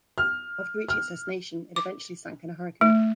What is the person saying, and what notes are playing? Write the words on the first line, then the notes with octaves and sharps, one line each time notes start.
After reaching its destination it eventually sank in a hurricane.
F6
F6
D6
A3